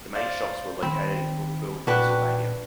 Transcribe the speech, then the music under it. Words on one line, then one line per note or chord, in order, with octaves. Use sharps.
The main shops were located in Brookville, Pennsylvania.
C5 D5 F5
D#3 C4 B5
A#2 D4 F#4 B4 G5 F#6